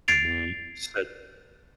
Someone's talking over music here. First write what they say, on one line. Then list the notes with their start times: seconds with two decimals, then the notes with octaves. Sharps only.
Mhm. Said
0.08 G#6 A6 C7 D7 F7